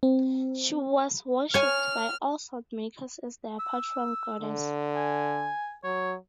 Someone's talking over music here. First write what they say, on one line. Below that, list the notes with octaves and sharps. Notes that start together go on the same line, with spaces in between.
She was worshipped by all saltmakers as their patron goddess.
C4
C#5 G#5 F6
E6
D3
G#5
F#3 C#5